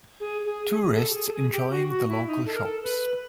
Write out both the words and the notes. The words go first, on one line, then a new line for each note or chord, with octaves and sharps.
Tourists enjoying the local shops.
G#4
G#4
G#4
A4
G4
G#4
A4
G#4
G4
F#4
F#4
E4
D#4
A4
A#4
A4
B4